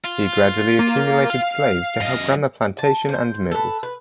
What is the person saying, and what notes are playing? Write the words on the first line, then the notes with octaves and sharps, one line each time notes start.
He gradually accumulated slaves to help run the plantation and mills.
F4
A#3
F5
F#2 D#5
A5
C5
A4 B4
B4